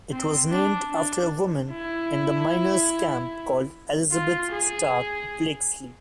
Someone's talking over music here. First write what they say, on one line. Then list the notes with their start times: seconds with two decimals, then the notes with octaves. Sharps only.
It was named after a woman in the miners camp called Elizabeth Stark Blakesley.
0.11 C4
0.50 D4
0.91 D4
1.71 E4
4.11 F4
4.51 G#4